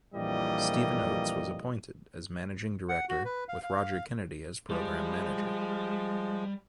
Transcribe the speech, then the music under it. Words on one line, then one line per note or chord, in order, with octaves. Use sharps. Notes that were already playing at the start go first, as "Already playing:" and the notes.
Stephen Oates was appointed as Managing Director, with Roger Kennedy as Programme Manager.
A#1 F2 E3 G3 A#3 D#5
F#5
F#4
B4
F5
F5
F3 G3 G#3